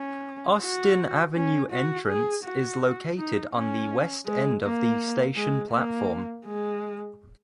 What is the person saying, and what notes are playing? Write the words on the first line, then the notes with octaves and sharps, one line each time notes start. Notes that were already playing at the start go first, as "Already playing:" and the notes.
Austin Avenue Entrance is located on the west end of the station platform.
Already playing: C#4
F#4
C#4
F#4
G#4
F#4
D#4
C#4
G#3
A#3
G#3
A#3
G#3